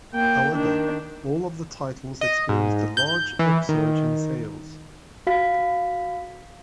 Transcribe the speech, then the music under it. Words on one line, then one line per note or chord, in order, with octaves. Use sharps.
However, all of the titles experienced a large upsurge in sales.
A#3 G5
D#3 D4
D#5
G#2
G6
E3
D#3
F#4 F5 B6